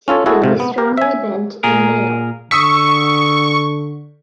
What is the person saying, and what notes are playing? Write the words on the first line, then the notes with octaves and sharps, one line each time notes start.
Tibiae strongly bent in male.
C#4 F4 A4 C#5
E4 F#4 G#4 A4
G#2 C3 F4
B3
G4 A#4 F5
E5 G#5
A#2 G#4 A#4
D3 C#6 D#6 E6 B6